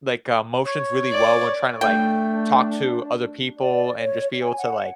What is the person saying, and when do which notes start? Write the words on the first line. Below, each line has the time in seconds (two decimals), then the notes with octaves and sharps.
like, uh, motions really well when tryna, like, talk to other people and just be able to, like
0.66 C#5
1.12 D5
1.81 A3 D4 G5
3.58 D5
3.98 C#5
4.43 G#5
4.58 F#5